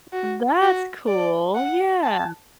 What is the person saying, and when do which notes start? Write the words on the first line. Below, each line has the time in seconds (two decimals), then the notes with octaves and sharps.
That's cool. Yeah.
0.13 F#4
0.61 F#4
1.08 D5
1.55 F#5
2.03 A5